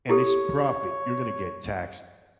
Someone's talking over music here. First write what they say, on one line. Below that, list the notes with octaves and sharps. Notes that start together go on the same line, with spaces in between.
and it's profit, you're going to get taxed
E4 G4 A4 C#5